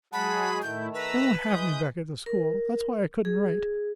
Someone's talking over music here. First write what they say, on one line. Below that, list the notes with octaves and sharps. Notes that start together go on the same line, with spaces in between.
They won't have me back at the school--that's why I couldn't write.
F#3 G#3 G#4 F#5 A5 B5
A2 D#3 A3 E4 G6
B4 A#5 E6
E3 G#3 D#6 G6
A#4
G#4